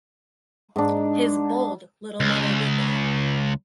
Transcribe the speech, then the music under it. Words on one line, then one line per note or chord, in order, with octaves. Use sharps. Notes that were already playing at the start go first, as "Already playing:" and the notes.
His bold little mother did that.
G#2 D4
C#2